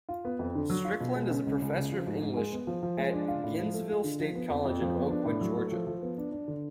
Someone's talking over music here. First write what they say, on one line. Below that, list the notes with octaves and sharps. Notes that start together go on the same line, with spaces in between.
Strickland is a Professor of English at Gainesville State College in Oakwood, Georgia.
F4
B3
F2
D3
F#3
F4
B2
G#3
C#4
C#2
C#2
C#3
F3
G#2
G#2
G#3
B3
F3
F3
G#3
D4
F4
A2
F3
A3
F4
D3
F3
B3
F2
F2
F3
B3
D4
A2
F#3
A3
F3
F3
B3
D4
D4
D3